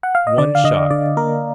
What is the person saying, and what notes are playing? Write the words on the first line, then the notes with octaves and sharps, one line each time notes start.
One shot!
F#5
F5
D#5
D3 D5
F5
D3 D#5
D3 D5
A#3 A#4